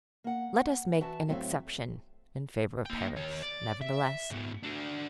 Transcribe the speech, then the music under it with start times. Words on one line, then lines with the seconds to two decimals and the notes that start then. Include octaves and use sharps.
Let us make an exception in favor of Paris, nevertheless.
0.24 A#3 F#5
1.00 E3 F#4 E5 A5
1.28 A2 F#3 C4 A4 E5 F5
2.86 A#3 G5
3.16 D#2 C#5
3.42 D5
3.81 E5
4.31 G#2 B3
4.63 D4 F#4